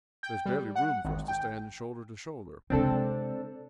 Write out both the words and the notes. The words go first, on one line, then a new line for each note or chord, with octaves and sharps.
There was barely room for us to stand, shoulder to shoulder.
G5
G3
F#5
G#1
G5
C3 G#3 C4 D4 A4